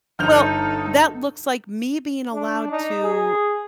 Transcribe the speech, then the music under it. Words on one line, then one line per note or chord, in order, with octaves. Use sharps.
Well, that looks like me being allowed to
G1 D#4 A4 F6 G6 F7
D4
D#4
G#4